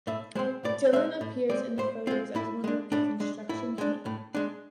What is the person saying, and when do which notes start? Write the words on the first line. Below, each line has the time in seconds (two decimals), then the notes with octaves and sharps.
Dylan appears in the photos as one of the construction team.
0.07 A2 E5
0.35 G#3 C4 C5
0.65 A2 D5
0.93 G#3 C4 E5
1.21 A2
1.50 G#3 C4 D5
1.78 A2 C5
2.07 G#3 C4 F4
2.35 A2 E4
2.64 G#3 D4
2.92 A2 D4
3.20 G#3 D4
3.49 A2 E4
3.78 G#3 D4
4.06 A2
4.35 G#3 D4